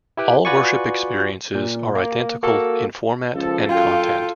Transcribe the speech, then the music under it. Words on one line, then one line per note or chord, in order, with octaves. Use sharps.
All Worship Experiences are identical in format and content.
E4 G4 B4 G5
F4 F#4 B4 D5 G#5 C#6
A#2
A#3
A#3 F#4 A4 A#4
C#2 F3 A4
F#2 F4 A4 F5 G5